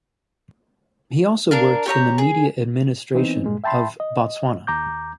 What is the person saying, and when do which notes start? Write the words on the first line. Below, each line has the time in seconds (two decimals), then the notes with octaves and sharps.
He also worked in the media administration of Botswana.
1.51 D4 A#4 F5
1.86 G4 C#5 E5 A#5
2.18 G#4
3.14 E3 B3 C4 D#4
3.44 G2 A#2 G#3
3.64 E5 G5 A5 B5 C6
4.00 D#5
4.67 D#2 A#5 D6 G6